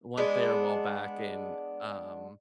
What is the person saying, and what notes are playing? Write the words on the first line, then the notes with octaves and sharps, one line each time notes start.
went there a while back, and, um,
G#3 B3 D4